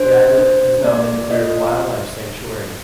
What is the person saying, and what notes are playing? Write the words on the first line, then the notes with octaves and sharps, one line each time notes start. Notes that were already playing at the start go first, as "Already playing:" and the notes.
The islet has now been declared a wildlife sanctuary.
Already playing: D4 C5
D4
A#3 D5
F4 D#5